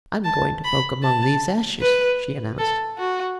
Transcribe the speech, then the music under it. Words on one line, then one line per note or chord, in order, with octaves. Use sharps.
"I'm going to poke among these ashes," she announced.
A5
B5
A5
B4
A4
F#4